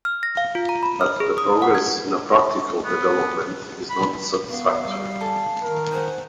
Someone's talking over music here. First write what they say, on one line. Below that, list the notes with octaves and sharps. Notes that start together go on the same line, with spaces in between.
But the progress in practical development is not satisfactory.
F6
A#6
F5
F4
A#5
B5
F6
G#4
D#6
F#5
G#6
B3
B5
B3 F5
G3
A4 G#5 A5
D#3 A#4
D#4 G#4 C5 F#5